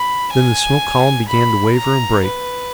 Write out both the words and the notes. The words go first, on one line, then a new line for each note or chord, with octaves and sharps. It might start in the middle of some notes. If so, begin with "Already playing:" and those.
Then the smoke column began to waver and break.
Already playing: B5
G#5
B5
A#5
B4